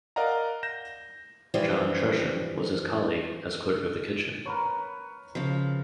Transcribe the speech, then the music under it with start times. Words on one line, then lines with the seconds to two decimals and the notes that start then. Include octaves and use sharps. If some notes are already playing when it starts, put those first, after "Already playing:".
John Tresham was his colleague as clerk of the kitchen.
0.16 A#4 D5 D#5 F5 F#5 A#5
0.63 G6 A#6 E7
1.54 E3 F3 G3
4.45 A#4 B4 C#5
5.35 C#3 F3